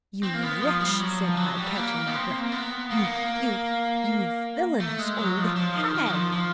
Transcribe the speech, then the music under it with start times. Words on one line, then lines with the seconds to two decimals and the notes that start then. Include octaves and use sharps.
"You wretch!" said I, catching my breath--"you--you--you villainous old hag!"
0.23 C4
0.34 A#3
0.43 B3
0.61 F3
0.80 G3
0.99 F#3
1.19 F3
1.37 F#3
1.57 G3
1.75 A#3
2.07 B3
2.14 C4
2.40 A#3
2.52 B3
2.90 A#3
2.97 B3
3.04 A#3
4.80 A3
4.99 G#3
5.18 F#3
5.37 F3
5.56 F3
5.75 D#3
5.95 D#3
6.06 F#3
6.13 F3
6.32 F3